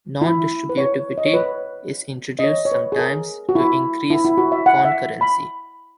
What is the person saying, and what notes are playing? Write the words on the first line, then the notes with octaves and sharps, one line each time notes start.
Non-distributivity is introduced sometimes to increase concurrency.
E4
B4
C#5
D#5
C#5
B4
D#5
C#5
C#5
B4
G#4
A#4
F#4
E4
E4
E4
F#4
E5
F#5
E5
B5